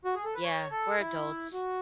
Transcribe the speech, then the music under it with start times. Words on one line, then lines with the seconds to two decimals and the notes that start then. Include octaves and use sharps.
Yeah, we're adults.
0.05 F#4
0.15 G#4
0.25 A4
0.34 B4
0.44 C#5
0.71 A4
0.99 E4
1.53 F#4